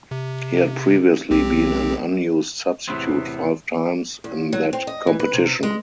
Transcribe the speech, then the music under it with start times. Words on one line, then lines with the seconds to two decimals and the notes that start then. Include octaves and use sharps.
He had previously been an unused substitute five times in that competition.
0.11 C3
1.31 B1 C4 G4
2.88 E2 A2 C3 B3 C4
4.24 E2
4.53 F#3
4.73 C4
4.87 D#5
5.07 E3
5.19 B4
5.33 C3
5.63 G#3